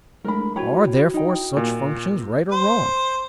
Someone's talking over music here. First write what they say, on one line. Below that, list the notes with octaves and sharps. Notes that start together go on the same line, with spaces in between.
Are, therefore, such functions right or wrong?
G#3 A3 D4 A#4 B5
E4 F#4 C#5 G5 B5
D#4 G5
A#2
C5